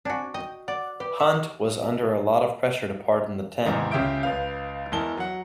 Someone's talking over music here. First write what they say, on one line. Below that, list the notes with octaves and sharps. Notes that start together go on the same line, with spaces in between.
Hunt was under a lot of pressure to pardon the ten.
C4 D4 F#4 G#5
D#5 G5
D5 F#5
G4 B4
E5 C#6
E2 G#2 C3 D#3 E3
C#2 C#3 G4 E5 G6 D7
C#2 B4 F5
E2 G#3 E4 A#4 A5 G7
F#3 F#5